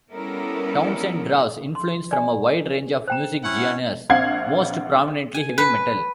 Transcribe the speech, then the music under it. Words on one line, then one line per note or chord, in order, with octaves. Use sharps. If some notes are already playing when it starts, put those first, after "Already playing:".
Townsend draws influence from a wide range of music genres, most prominently heavy metal.
G3 B3 C#4 E4 A4 A#4
C6
D5 G#5
C5 G5 A#5
C#4 E4 F#5
A#1 C4 F5 F#5 G#6 C7
G#5
B4